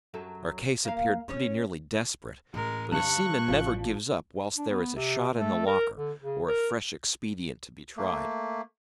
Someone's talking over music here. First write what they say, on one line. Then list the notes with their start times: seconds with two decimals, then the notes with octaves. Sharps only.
Our case appeared pretty nearly desperate; but a seaman never gives up "whilst there is a shot in the locker," or a fresh expedient to be tried.
0.14 F#2 F#3 A4
0.85 A#3 F5
1.29 C#4 C#5
2.54 A1 G#3 A#4
2.92 G2 D3 C#6 F#6 C#7
3.48 A1 F3 F#7
4.57 D4
4.70 B3
4.96 C3
5.34 A3
5.67 A#4
5.97 D3
6.22 C#3
6.48 A#4
7.97 A3 A#3